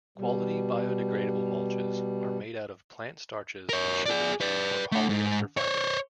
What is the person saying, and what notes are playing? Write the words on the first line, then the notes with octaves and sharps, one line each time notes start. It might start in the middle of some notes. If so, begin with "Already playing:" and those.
Quality biodegradable mulches are made out of plant starches and sugars or polyester fibres.
B2 G3
A#4 C#5
G#4 D5
B4 D5
A3 F#5
G#2
C5 C#5